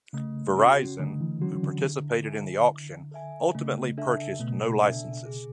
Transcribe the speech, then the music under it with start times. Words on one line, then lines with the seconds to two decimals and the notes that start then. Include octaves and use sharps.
Verizon, who participated in the auction, ultimately purchased no licenses.
0.13 C#3 A3
0.56 C#4 F#4
0.99 D3 A3
1.21 E3
1.42 F#3 C#4 F#4
1.63 D3
1.85 E4
2.27 A4 E5 G#5
2.70 E4
3.12 A4 E5 G#5
3.54 C#3 A3
3.98 D4 A4 E5
4.40 B2 A3
4.83 D4 A4 E5
5.25 G#4